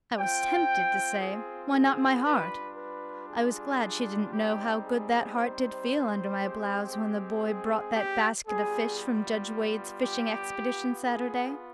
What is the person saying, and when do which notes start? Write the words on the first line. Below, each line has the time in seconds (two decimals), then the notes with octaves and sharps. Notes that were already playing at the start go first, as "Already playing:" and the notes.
I was tempted to say, "Why not my heart?" I was glad she didn't know how good that heart did feel under my blouse when the boy brought that basket of fish from Judge Wade's fishing expedition Saturday.
0.17 C4 F4 G5
1.21 G#4
1.73 G#4
2.25 G3 D4 F4 B4
2.77 B4
3.29 G#4
4.32 G3 C4 D#4 G4
4.84 G#4
5.36 C5
6.40 G#3 C4 G4
6.91 G4
7.43 G#4
7.95 G4
8.47 G3 B3 F4 G#4
10.02 G4
10.54 B3 F4
11.06 G#4